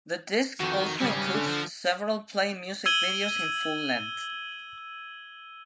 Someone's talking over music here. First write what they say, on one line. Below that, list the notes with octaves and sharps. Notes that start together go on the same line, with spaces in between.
The disc also includes several Play music videos in full length.
F2 D#3 F#4
G#1 C#3 G3 C#4
D3
F3
E6 G#6 D#7 F#7 G7